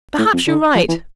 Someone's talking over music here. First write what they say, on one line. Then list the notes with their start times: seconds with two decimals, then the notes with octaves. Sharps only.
Perhaps you're right.
0.18 A2
0.33 F2
0.47 D3
0.75 F3
0.88 E3